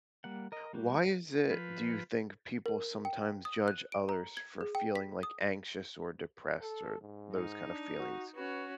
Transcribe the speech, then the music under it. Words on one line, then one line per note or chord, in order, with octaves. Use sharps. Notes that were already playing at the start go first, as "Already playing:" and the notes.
Why is it, do you think, people sometimes judge others for feeling, like, anxious, or depressed, or those kind of feelings?
G3 A#3 F#5
A#4 D#5
G3 A#3 F#4 G4
F3 B4
A#4
G5
D#6
F#6
D7
A#5
G#6
G#4
G5
B6
D#6
A4
G#2
D#4
D4
F#4
C#4 F#4 B4